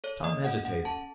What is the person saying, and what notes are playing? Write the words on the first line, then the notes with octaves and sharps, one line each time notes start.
Tom hesitated.
A4 C#5
A#3 D#5
C#4 F#5
C#4 F#5
A4 A5